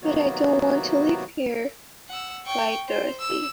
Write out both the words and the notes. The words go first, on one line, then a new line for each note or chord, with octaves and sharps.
"But I don't want to live here," cried Dorothy.
C3 D#3 F#3 A#3 B3 F#4
F#5 E6
G5 C#6
C5
E6